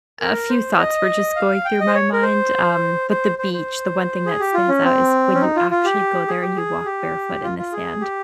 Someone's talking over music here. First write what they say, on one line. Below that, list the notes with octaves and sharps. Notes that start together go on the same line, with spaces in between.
a few thoughts were just going through my mind. Um, but the beach, the one thing that stands out is when you actually go there, and you walk barefoot in the sand,
A#4
C5
D#5
F5
G5
D#5
C5
C#5
A#4
C5
C5
C5
C5
G#4
G4
F4
C#4
C4
C#4
D#4
F4
F4
G4
G#4
G4
G#4
G4
F4
F4
G#4
G4